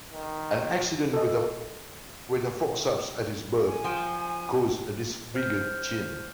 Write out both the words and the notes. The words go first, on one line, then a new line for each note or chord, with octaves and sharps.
An accident with a forceps at his birth caused a disfigured chin.
D#3
A4 D#5
G#5
F3 G5
C5 F6 G6